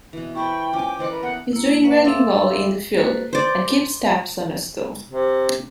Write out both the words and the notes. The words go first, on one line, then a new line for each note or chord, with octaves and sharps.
He's doing really well in the field and keeps tabs on us though.
B2 E3
E4 A4 C5 G5 B5 C#6
F3 C#4 G#5 D6
E3 A4 C5 D#5 F#5 D6
A#4 B4
B3 F#5 G5
A#3 E4
A#3 C#4 B4 E5 F#5
A4 E5 F5 C6 D6 E6
A#3 F#4 A4 B4 C5
C5 D5
C3